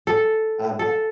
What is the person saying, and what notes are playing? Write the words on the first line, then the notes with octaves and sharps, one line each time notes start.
Um, uh
A4
A4